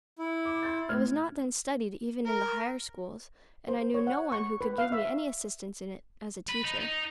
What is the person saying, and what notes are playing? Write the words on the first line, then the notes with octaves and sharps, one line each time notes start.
It was not then studied even in the higher schools, and I knew no one who could give me any assistance in it, as a teacher.
E4
D6
C6 G6 A6
A2 F6 G#6
A#4
C5
C#5
F#5
C#6
B4
F5
E5
B4
D#4
D#4